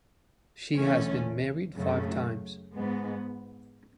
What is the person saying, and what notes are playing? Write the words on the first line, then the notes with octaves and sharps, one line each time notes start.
She has been married five times.
E2 D3 A3 C#4
F#2 C#3 F#3 A3
G#2 G#3 B3